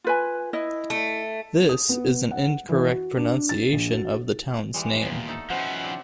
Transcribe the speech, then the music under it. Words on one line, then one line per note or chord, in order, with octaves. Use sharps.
This is an incorrect pronunciation of the town's name.
F4 B4 G#5
E4 D#5
A3
D#6
B3
F#5
E3
F#4
D4
A6
A#1
F#4
E3 G3 G#3
D#2 A#2 B3
A3 D#4 A4
F3 C#4 D#4 E4 F#4 B4 C5 F#5
C3 C4 D4